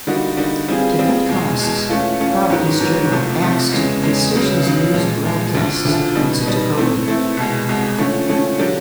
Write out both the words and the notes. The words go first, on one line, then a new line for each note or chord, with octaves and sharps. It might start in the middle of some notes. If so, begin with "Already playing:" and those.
To cut costs, Providence Journal axed the station's news broadcasts once it took over.
D3 G3 A#3 D#4 F#4
D3 G3 A#3 D#4 F#4
E3 G3 C4 F4 G#4
E3 G3 C4 F4 G#4
E2 B2 G#3
E2 B2 G#3
E3 A3 C#4 F4
E3 A3 C#4 F4
G#2 D#3 F#3 B3
G#2 D#3 F#3 B3
C2 C3 F3 A3
C2 C3 F3 A3
E2 C#3 E3 G#3
E2 C#3 E3 G#3
C#2 C#3 F#3 B3
C#2 C#3 F#3 B3
A#2 F3 G#3
A#2 F3 G#3
D2 D3 F3
D2 D3 F3
B2 G3 B3 D#4
B2 G3 B3 D#4
E3 A3 C4 E4
E3 A3 C4 E4
C2 B2 G#3
C2 B2 G#3
D3 F3 A3 C#4
D3 F3 A3 C#4
D3 F#3 A#3 D4 G4